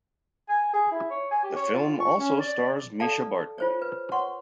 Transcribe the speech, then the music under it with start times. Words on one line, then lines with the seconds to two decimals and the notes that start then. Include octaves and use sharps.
The film also stars Mischa Barton.
0.49 G#5
0.73 G#4
0.91 E4
1.10 C#5
1.31 G#5
1.43 G4
1.56 C#5
1.73 F4
2.00 C#6
2.19 C#4
2.39 D5
3.00 A4 D5 F5 A5
3.58 F4 C5 C#5
3.82 B4
4.12 C#5 F#5 C6 C#6